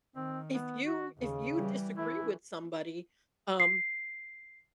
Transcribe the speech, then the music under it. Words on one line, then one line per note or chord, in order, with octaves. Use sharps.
if you if you disagree with somebody, um,
D#3 C4
B3
F#4
D#2 C#3
E3 G3
E3 A3 E4
C7